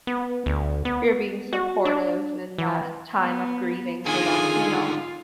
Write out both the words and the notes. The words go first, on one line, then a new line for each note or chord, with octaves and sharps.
you're being supportive in that time of grieving for them, you know?
B3
D2
B3
F#4
D4
E3
B3
D3 D#3 F4 G#4 G#5